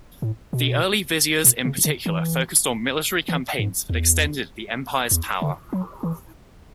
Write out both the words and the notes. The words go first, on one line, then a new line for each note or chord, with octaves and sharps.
The early viziers in particular focused on military campaigns that extended the Empire's power.
A2
B2
B2
C#3
D3
E3
E3
G#2
E2
E2
D3
F#3
E3